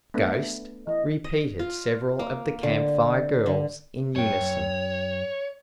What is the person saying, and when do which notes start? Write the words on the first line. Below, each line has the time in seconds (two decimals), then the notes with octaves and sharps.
"Ghost!" repeated several of the Camp Fire Girls in unison.
0.14 A3 B3 D4
0.87 E3 D#5
1.25 D#5
1.59 F4
2.19 A#3
2.63 D3
3.46 D3
4.16 F#2 C#5 G5